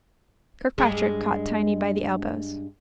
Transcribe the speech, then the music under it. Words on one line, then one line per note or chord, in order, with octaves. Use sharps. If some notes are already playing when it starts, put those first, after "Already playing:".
Kirkpatrick caught Tiny by the elbows.
G2 G#3